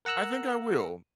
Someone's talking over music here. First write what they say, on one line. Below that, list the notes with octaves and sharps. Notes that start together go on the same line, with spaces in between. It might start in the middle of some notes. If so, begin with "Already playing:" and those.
I think I will.
A#4 F#5 A#5 E6 F#6